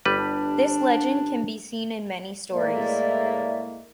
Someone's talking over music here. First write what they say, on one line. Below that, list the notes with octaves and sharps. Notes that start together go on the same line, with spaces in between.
This legend can be seen in many stories.
G1 G3 B4
D4
A2 G#3 A#3 D5 E5